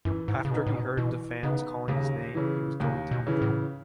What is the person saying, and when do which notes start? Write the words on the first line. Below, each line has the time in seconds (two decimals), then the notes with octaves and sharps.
After he heard the fans calling his name he was going to meet them.
0.05 F#2 E3
0.28 G#2
0.45 C#3
0.51 B2 B3 D#4
0.66 A2
0.74 B2
0.97 B2 E3
1.43 C#3 B3 D#4
1.88 D#2 C#3
2.35 C#3 E3
2.80 D#2 C#3
3.11 B2
3.27 C#3 E3
3.42 A2